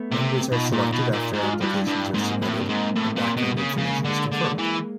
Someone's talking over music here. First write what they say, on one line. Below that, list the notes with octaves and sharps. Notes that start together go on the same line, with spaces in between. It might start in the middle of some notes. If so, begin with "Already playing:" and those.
Members are selected after applications are submitted and background information is confirmed.
Already playing: A3 B3
C3
B2 D#4 F4
A#2
B2
A#2
G#2
F#4
F4
G2 E4 F#4
D4 E4
G2
G#2 A#3 C4
A2
G2
G#2
A2
A#2
B2
C#3
C#3 G#3 A#3
D3
D3
E3